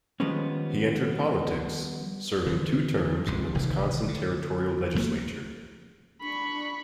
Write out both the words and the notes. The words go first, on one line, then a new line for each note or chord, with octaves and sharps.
He entered politics, serving two terms in the Wisconsin Territorial Legislature.
D#3 F3 G3 G#3 B3 C#4
D3 E3
C#2 G#2 D3
G1 C2 D#3 E3
D3
F3 F#3 A3 A#3
D4 B5 C#6